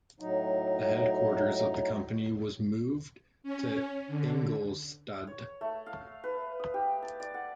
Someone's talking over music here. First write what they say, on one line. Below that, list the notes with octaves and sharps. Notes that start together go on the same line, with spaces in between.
The headquarters of the company was moved to Ingolstadt.
A2 F#3 D#4
C#4
D3
C#5
A3
F5
B4
D#6
G4
A5
D5
F#5